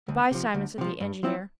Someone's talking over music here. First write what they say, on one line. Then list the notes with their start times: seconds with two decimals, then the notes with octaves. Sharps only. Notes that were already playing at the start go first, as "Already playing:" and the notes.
"Good-by, Simon," said the engineer.
0.09 D2
0.31 C3 F3
0.54 D2
0.78 C3 F3
1.00 G2
1.23 F3 C4 E4